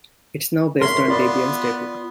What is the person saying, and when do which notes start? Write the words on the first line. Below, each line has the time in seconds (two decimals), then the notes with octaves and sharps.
It's now based on Debian Stable.
0.81 A#4 C#5 E5 C6
1.08 B3 F4 D5